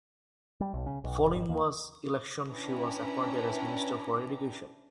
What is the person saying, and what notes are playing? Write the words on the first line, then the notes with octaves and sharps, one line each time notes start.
Following the election she was appointed as Minister for Education.
G3
B1
C#3
B1
F1
G#1
D#2
C#4 D4 E4 B4 G5 A#5